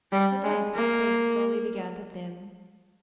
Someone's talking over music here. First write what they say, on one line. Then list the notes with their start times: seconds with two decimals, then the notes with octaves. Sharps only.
At length the space slowly began to thin.
0.12 G3
0.44 G#3
0.75 A#3